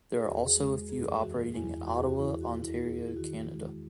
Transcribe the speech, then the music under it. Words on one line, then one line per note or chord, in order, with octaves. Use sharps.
There are also a few operating in Ottawa, Ontario, Canada.
G#4
E2 F#4
G#4
G#3
F#2 G#4
E3 F#4
E2 E4
E2 F#4
G#4
F#4
E3 E4
F#4
D#2
E4
D#2 G#4
E4
D#3 F#4
G#3